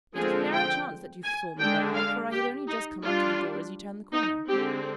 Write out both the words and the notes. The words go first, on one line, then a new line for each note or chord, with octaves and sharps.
'It was a narrow chance that you saw me now, for I had only just come up to the door as you turned the corner.'
D3 F3 G#3 C4 G#4
G5
G#5
D3 G#3 D4 G5
F5
G4
D#4
G3 D4 F4
D#4
D3 G#3 C4 G4